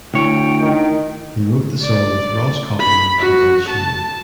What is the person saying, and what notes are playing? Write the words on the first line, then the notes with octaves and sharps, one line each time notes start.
He wrote the song with Ross Copperman and Ed Sheeran.
D2 E4 C#5 G5
D#3
D5
B5
F#4
A5